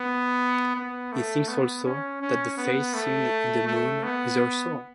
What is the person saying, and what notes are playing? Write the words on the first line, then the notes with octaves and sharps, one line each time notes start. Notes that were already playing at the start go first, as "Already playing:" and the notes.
He thinks also, that the face seen in the moon is her soul.
Already playing: B3
B3
A3
B3
C#4
C#4
B3
A3
A3
B3